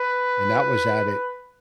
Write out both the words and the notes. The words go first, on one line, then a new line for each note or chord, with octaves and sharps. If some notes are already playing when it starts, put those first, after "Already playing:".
And that was at it
Already playing: B4